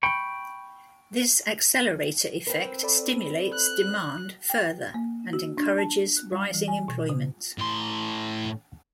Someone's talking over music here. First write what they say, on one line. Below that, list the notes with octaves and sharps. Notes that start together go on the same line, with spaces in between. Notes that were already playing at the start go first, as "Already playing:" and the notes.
This accelerator effect stimulates demand further and encourages rising employment.
G5 B5 C#6
C4 A#4 B4
A4 D5 B5
F#6
G5
A#3
F#4
D4
A5
F#6
G3
E3
G#5
B2
C#3
A2 C6